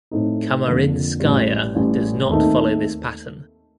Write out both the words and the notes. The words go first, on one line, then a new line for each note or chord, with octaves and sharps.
"Kamarinskaya" does not follow this pattern.
A2 A3 C4 D#4
F2 D3 F3 A#3
A1 A2 G3
A1 A2 G3
D#2 D#3 A3 C4 D#4